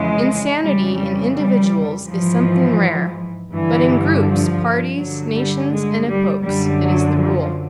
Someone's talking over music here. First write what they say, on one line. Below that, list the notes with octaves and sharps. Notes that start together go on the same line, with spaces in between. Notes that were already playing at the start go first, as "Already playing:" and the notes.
Insanity in individuals is something rare--but in groups, parties, nations, and epochs it is the rule.
Already playing: F2 C#3 E3 G#3
F2 C#3 E3 G3
G3
G3
G#2 E3 F3
G2 D3 E3
F3
G2 D3 F#3
G3
G#3
G3
F#2 D3 G3
F#3
F3